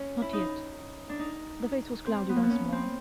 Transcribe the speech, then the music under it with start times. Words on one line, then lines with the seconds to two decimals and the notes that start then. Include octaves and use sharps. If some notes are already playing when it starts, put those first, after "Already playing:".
'Not yet.' The face was cloudy once more.
Already playing: C#4
0.22 E4
0.33 D#4
1.09 D4
1.19 D#4
2.06 C4
2.29 B3
2.36 A#3
2.43 B3
2.50 C#4
2.72 C4